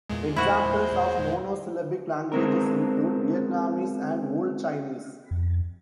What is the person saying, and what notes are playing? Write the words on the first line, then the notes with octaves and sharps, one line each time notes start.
Examples of monosyllabic languages include Vietnamese and Old Chinese.
E2 A#2 G#3
E4 F#4 C5
G#3 B3 C4 A#4
F2